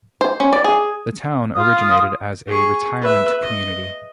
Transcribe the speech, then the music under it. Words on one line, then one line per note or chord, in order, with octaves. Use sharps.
The town originated as a retirement community.
C5
C#4
D5
G#4
F4 F5 D#6
G#4 C#6
B4 E5
D#5